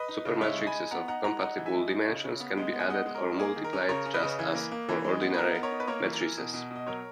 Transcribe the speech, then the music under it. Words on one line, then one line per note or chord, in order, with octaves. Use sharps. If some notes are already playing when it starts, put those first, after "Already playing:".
Supermatrices of compatible dimensions can be added or multiplied just as for ordinary matrices.
Already playing: B4 D#5
D#4
C#3
G#3 C#5 E5
G#3
G#5 B5
D#4
B3 F#5 A#5
D#4 F#5 A#5
G#3 F#5 A#5
D#4 F#5 A#5
E3
E5 G#5
G#3
D#4
C#3
C#3
B3
G#3
B3
G#5
G#3 D#5 F#5
G#3
A#4
G#3
A#3 G#4
D#3
A#4
C#4
C#3 A#4 C#5
C#4
B4 D#5
C#3
E3
A#3
A#3
E3
G#3
B3
B4
D#4 A#4
B3
A#4 C#5
D#4
B4
A#3 A#4 C#5
E3
A#4
E3
B2
B2
B2 D#5
F#3 A#4 C#5